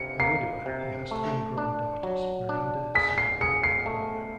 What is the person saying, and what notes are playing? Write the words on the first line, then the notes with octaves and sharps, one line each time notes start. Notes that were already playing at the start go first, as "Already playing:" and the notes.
A widower, he has three grown daughters, Miranda, Simone and Olivia.
Already playing: C3 C#7
A#3 C7
C3
A3
D4
F#3
D4
G#4 B6
C7
G#4 C#7
C7
A3